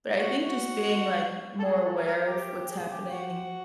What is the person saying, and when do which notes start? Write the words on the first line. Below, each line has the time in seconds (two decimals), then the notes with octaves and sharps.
but I think just being, like, more aware of what's happening,
0.19 F#4
0.39 F#4
1.59 A4
1.64 G#4
1.84 A4
1.95 A#4
2.06 A#4
2.16 A#4
2.26 G4
2.68 G#4
2.89 G4
3.10 F#4